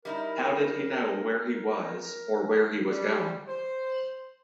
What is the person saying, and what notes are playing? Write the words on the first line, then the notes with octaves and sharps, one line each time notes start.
How did he know where he was or where he was going?
G3 D#4 E4 A#4
G3
C5